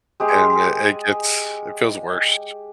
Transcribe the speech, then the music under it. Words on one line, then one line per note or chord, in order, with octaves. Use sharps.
and it it it's it feels worst.
G#3 G4 G#5 C6